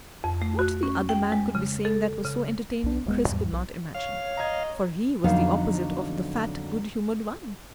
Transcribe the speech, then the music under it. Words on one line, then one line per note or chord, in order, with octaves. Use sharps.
What the other man could be saying that was so entertaining Chris could not imagine, for he was the opposite of the fat good-humored one.
F2
A3
F#4
C#4
G5
G#3
C#3
A4
C#3
B1 D4
D1 G#3 B3
E2 G#2 G3
B1
C#5 F5
D#5 A#5 G#6
F2 D3 F#3 B3 D#4 F5